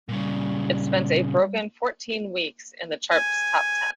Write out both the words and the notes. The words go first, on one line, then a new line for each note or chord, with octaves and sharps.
It spent a broken fourteen weeks in the chart's top ten.
A#2 C#3 G3
G#5